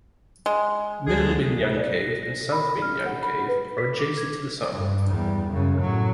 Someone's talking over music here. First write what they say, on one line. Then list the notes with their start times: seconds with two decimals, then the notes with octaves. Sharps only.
Middle Binyang Cave and South Binyang Cave are adjacent to the south.
0.46 G#3
1.07 D2 D3 G#4
1.62 C5
1.76 D5
1.96 A#6
2.23 A#6
2.52 B5
2.82 F6
3.06 F#5
3.23 B5
3.48 B4
3.78 B6
3.99 D6
4.17 G#6
4.70 G2
5.10 E2 G3
5.50 F#2 C#3
5.80 A2 F#3